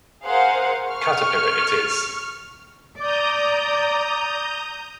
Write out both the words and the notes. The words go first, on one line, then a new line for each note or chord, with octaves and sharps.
Caterpillar it is.
G#4 A#4 C5 F5 F#5
C#6 F6
D5 A#5 D6 D#6 G6